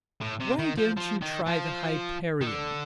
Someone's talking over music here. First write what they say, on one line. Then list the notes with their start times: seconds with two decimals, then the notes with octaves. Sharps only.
"Why don't you try the Hyperion?"
0.21 A2
0.40 C3
0.59 D#3
0.78 F3
0.97 F3
1.22 D#3
1.47 F3
2.41 D#3
2.47 D3